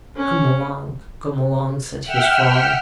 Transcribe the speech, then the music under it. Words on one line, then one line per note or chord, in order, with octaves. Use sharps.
"Come along, come along!" said his father.
C#4
E5 F#5 G5 E6 F6